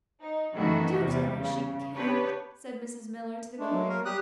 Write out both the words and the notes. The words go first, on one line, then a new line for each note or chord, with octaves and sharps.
"Do tell her she can't," said Mrs. Miller to the courier.
D#4
F#2 D#3 E3 A3 F#4
E2 C3 G3
C#3
B3 D4 G4 B4 C#5
G#3 A3 D4
F#3
A#4
G3 G4 D#6 F#6